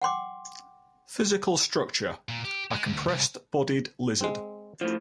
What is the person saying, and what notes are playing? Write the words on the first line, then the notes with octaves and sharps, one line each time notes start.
Physical Structure: A compressed bodied lizard.
F#5 G5 C6 D6
A#2
G4
G#3
D2
C2
G#3 C4
A2 F3